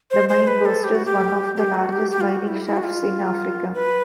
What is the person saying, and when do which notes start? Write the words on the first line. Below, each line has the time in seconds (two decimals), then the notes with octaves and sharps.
The mine boasts one of the largest mining shafts in Africa.
0.11 C5
0.29 C5
0.47 B4
0.65 A4
0.84 G4
0.95 F#4
1.06 G4
1.56 G4
1.74 F#4
1.93 G4
2.11 G4
2.21 F4
2.29 F#4
2.47 E4
2.65 E4
2.77 F#4
2.84 F4
3.74 B4